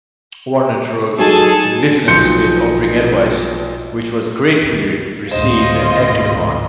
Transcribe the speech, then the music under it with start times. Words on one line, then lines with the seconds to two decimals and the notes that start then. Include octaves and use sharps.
Vernet wrote to Lieutenant Smith offering advice, which was gratefully received and acted upon.
1.19 F#3 D#4 G#4 A4 A5
2.08 B1 F3 C6 G6 C#7
5.31 G#1 D2 A2 F4 C5 D#5